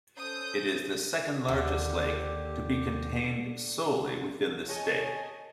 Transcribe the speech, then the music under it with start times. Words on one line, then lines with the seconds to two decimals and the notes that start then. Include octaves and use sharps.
It is the second largest lake to be contained solely within the state.
0.17 C#4 A4 C5 D#6 G6
1.48 D#2 D3 G4
4.67 C#5 D#5 G#5 A5